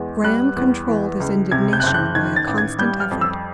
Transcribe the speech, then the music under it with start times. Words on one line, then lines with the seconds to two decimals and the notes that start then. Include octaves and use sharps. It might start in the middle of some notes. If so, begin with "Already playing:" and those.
Graham controlled his indignation by a constant effort.
Already playing: E2 G#3
0.24 G3 F#6
0.56 E2
0.88 E3
1.20 C#2
1.52 C3 G#6
1.73 G6
1.80 F#6
1.83 F#1 G6
1.94 F#6
2.15 D#3 G#6
2.36 A6
2.47 A1
2.58 G#6
2.79 G3 G6
3.00 F6
3.11 F2
3.21 E6